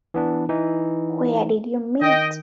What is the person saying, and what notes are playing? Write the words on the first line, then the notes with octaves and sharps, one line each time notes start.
Where did you meet?
E3 B3 D4
E3 D#4
D#3 D#5 G5